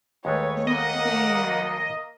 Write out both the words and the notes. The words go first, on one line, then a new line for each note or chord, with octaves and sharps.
Look there.
D#2 G#3 A3 B4 C#5
A#3 D#5 F#5